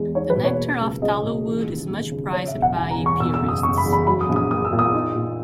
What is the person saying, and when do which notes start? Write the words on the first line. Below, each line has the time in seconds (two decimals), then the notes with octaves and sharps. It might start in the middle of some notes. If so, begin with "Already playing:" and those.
The nectar of tallowwood is much prized by apiarists.
Already playing: E2 G#3
0.15 D#4 C#5
0.30 B4
0.37 B2
0.44 C#5
0.59 A#3
0.81 C#2
1.02 C#2 D#5
1.24 B2
1.46 E3
1.68 D#2
1.89 D#2
2.11 C#3
2.32 C#3 C#5
2.48 E5
2.54 E1
2.62 F#5
2.76 E3 G#5
2.91 A#5
2.98 E2
3.06 C#6
3.20 B2 E6
3.34 E6
3.42 F#1
3.48 D#6
3.63 F#1 C#6
3.78 B5
3.85 E2
3.93 B5
4.07 F#3 B5
4.21 D#6
4.29 A#1
4.36 D#6
4.51 A#3 D#6
4.65 E6
4.72 A#2
4.79 D#6
4.93 D#4
5.15 A#2